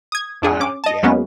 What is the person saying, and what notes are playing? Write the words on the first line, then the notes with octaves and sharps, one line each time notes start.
Ah, yeah.
D#6 G#6
F2 D4 G#4
C#4 D6
D#5 A5
E2 F#3 G#3 A#3 B3 C#4